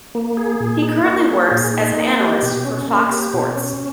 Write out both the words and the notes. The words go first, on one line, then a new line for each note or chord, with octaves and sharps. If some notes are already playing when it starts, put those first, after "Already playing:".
He currently works as an analyst for Fox Sports.
A#3
G#4
A#2
D#4
A#3
G#4
A#2
D#4
A#3
G4
B2
C#4
A#3
G4
B2
C#4